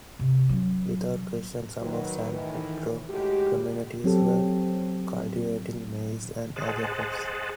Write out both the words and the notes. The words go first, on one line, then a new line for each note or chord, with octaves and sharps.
Without question, some of San Pedro communities were cultivating maize and other crops.
C3
F#3 C#4
D#3 F#3 B4
A2 D#3 E3
A2 G#3 F#4 G4
F#3 C4 G4 A4
G#4 C5 D#5 F#5 A5